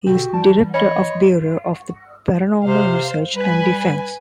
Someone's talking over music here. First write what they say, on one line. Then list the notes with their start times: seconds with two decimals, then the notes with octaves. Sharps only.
He is director of the Bureau of Paranormal Research and Defense.
0.07 B2 D3 F#4 G4
0.34 E3 G3 A5
0.74 C#5 D#5 B5
2.64 C3 C5 F5
3.34 G3 B4 G#5